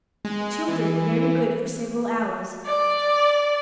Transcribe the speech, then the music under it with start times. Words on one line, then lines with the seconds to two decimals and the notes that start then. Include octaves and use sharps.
The children were very good for several hours.
0.25 G#3
0.68 E3
2.66 D5